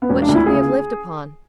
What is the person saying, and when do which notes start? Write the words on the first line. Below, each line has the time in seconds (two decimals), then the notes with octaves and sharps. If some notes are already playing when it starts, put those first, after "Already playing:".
What should we have lived upon?
0.02 B3
0.09 E1 C#4
0.22 D4
0.28 D2
0.35 E4
0.46 C#3 G#4